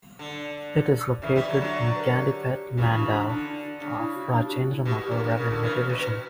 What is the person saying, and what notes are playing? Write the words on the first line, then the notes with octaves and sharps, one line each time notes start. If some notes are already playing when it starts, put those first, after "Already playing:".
It is located in Gandipet mandal of Rajendranagar revenue division.
D3
C#3 E3 E5
E3 G3
D3 F#3 E5
D3 F#3
D5
B4
A#4
G4
C#3 E3 F#4
D4
E4
D4
D3 D4
D4
C#3 D4
E4
F#4
D4
G4
F#4
E4
B2 G4
A#2
G4
G2 A#4
A#2
C#3 A#4
D3
C#3 E3
C#3
B2 B4